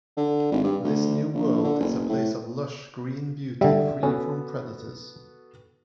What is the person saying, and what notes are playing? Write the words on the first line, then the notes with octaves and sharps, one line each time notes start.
This new world is a place of lush green beauty free from predators.
D3
G#1
G2
D2
A#1
D3
F#1
A2
D3 G3 E5
B3 C#4 F#4 A4